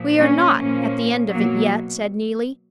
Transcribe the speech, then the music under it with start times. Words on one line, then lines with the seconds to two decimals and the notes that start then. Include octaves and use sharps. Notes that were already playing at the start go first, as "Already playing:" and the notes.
"We are not at the end of it yet," said Neelie.
Already playing: A#2 F3
0.18 A#3 C#4
0.56 A#2 F3 A#3 C#4
1.31 B2 F#3 A#3